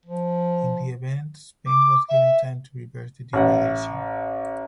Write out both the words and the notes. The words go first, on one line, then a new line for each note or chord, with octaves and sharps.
In the event, Spain was given time to reverse the degradation.
F3
D6
E5
A1 F#5